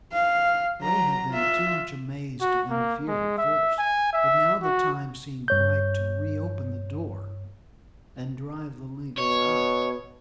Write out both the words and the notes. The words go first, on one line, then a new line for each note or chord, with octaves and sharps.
Ray had been too much amazed to interfere at first, but now the time seemed ripe to reopen the door and drive the lynx out.
F5
F#3 A#5
F4 E5
F#4
A#3
G#3
E5
G#5
E5
F#4
G2 C#5 G6
B2 C#5